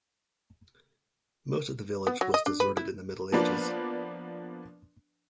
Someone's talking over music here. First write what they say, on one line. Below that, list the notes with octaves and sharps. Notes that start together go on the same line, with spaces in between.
Most of the village was deserted in the Middle Ages.
B3
F#3
D#5
D4
B4
E4
F3 A#3 B3 D4 B4 D5